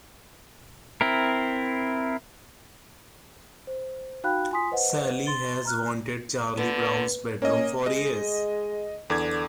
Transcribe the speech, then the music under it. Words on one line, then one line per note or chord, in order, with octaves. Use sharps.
Sally has wanted Charlie Brown's bedroom for years.
C4 E4 A#4
C5
D#4 F#4 F5 G5 B5 F#6
F4 G#5 C6 D#6 B6
B4 C5 D#5 F#5
C6 A6 G7
A#5 F6 F#6
D3 B3
A#3 C#4 D#5
G#3 D#5
E2 D3 D6 G#6